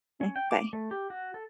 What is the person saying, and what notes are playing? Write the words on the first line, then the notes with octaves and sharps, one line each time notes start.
Mm, bye.
C#4
G5
D6
A3
G4
F#4
A4